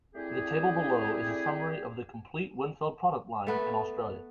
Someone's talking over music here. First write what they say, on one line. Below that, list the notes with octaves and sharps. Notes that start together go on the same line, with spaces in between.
The table below is a summary of the complete Winfield product line in Australia.
G3 A3 C4 E4 G4 G#4
A3 B3 B4